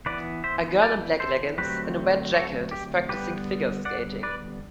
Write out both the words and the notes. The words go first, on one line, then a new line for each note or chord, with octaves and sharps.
A girl in black leggings and a red jacket is practicing figure skating.
E3 B3 B4 D5
C5 E5
B4 D5
A4 C5
D3 F#3 A3 C4 G4 B4
F#4 A4
G4
D3 G3 B3 G4 B4
D5 F#5
B4 D5